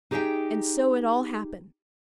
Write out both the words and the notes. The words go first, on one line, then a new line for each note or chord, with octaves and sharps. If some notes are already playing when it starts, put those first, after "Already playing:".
And so it all happened.
D#4 G4 G#4 D#5 E5 G5